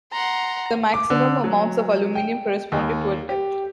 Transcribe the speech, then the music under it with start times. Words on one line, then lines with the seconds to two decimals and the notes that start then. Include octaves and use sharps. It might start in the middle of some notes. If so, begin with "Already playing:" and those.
The maximum amounts of aluminium correspond to a depth.
0.12 F#5 A#5 C6
0.94 D6
1.10 D3
1.44 F#3
2.15 G5
2.72 D#2
3.29 G4